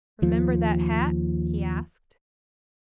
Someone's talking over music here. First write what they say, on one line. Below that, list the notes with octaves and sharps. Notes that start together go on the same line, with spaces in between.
"Remember that hat?" he asked.
D#2 F3